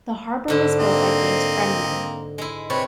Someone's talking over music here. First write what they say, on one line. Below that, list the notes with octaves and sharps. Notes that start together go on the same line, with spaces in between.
The harbour was built by James Bremner.
G#2 D3 E4
A#3 C4 D#5
G#3 E4
C3 B4 C#5